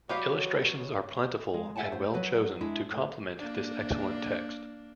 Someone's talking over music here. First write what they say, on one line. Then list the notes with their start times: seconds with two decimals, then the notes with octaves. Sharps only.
Illustrations are plentiful and are well chosen to complement this excellent text.
0.09 F#3 G#3 G4 B4 C#5 F5
1.54 G#3
1.76 A4 E5 F#5 G#5 A5
1.92 A2 C5
2.14 F#3 B4
2.61 G#3 D4 E4 E5
2.91 A2
3.38 A#3 D4